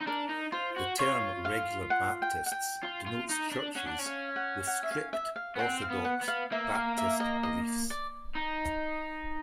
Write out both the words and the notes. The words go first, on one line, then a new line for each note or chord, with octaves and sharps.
The term Regular Baptists denotes churches with strict, orthodox Baptist beliefs.
D#4
D4 A#4
D#4
F4 C5
F#4
F4 C#5
F5
F#5
G5
F#5
G5
F4
F4
D#4
D4
C#4 F#5
D4
C#4
F5
F#5
F#5
E5
F5
E5
F5
B3
C4 F#5
F5
B3
F#5
B3
F5
A#3 E5
F5
E5
D#5
D#5
D5
D#4